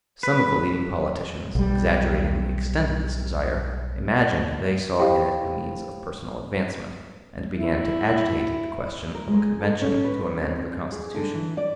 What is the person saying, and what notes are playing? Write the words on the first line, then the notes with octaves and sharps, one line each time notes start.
Some of the leading politicians, exaggerating the extent of this desire, imagined they saw in it a means of personal advancement, and began to agitate the question of a convention to amend the Constitution.
B4
B1 G3
E4 G4 C5 F5 G5 B5
E4
A#4
G#3
A4
C#4
B4
C4
G#4
D3
E3
D5